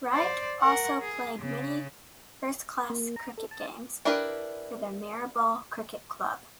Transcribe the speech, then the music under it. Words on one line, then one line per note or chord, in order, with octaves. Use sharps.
Wright also played many first-class cricket games for the Marylebone Cricket Club.
C5 D5
A#4 F#5
G#4
C#3
A#3
A#5
A4
A5
D4 E4 G4 A#4 B4